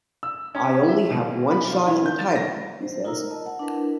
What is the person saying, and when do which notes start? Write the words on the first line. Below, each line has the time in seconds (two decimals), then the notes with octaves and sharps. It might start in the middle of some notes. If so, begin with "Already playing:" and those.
"I only have one shot at the title," he says.
0.23 E6
0.55 C#4
0.89 E5
1.10 B2
1.51 B5
1.70 F4
1.87 E3
2.06 G6
2.19 A6
2.36 A#6
2.82 C5
3.04 D#4 F4 A#4 A#5 E6
3.30 D#5 A5
3.46 F#5 A5
3.59 D4 E4 A#4 B4